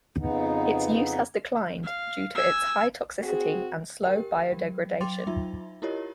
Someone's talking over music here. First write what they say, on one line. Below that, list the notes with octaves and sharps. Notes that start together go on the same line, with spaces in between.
Its use has declined due to its high toxicity and slow biodegradation.
F2 C#3 B3 D#4
F5
G#5 E6
C4 F#4 G#4
G4 A#4 G5
F#3
F#3 G5 C6 D6 A6 F7
F#3 D#4 F4 E5
E4 F4 G4 A#4 C#5 D#5